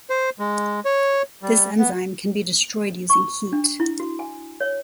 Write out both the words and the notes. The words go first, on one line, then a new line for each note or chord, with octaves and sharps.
This enzyme can be destroyed using heat.
C5
G#3
C#5
G3
B3
C#6
D4
E4
F#4
G#5
C#5